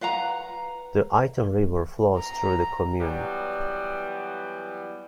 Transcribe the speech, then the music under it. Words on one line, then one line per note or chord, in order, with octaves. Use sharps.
The Iton river flows through the commune.
B4 F5 F#5 A#5
A#5
E3 F#3 G3 B3